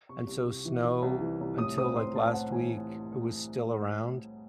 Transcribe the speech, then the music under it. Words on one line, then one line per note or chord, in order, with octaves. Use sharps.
and so snow, until like last week, it was still around,
C3 C#6
C2
C2
E3
E3
C2
E3
C2
A2 D#6
C4 D#6
C4 C6
A2 A5
C4 F#5
E3 G#5